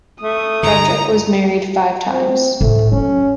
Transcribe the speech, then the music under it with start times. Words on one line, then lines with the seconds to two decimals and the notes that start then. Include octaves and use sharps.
Frederick was married five times.
0.22 A3 D#6
0.63 G2 D3 A#5
2.09 C4
2.61 A2 A3
2.92 F#3 C#4